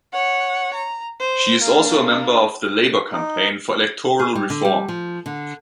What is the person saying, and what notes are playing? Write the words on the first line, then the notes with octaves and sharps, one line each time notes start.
She is also a member of the Labour Campaign for Electoral Reform.
C#5 F#5
A#5
C5
A#3 D4
D#4
G#4
G3
D3
G3
F3
D3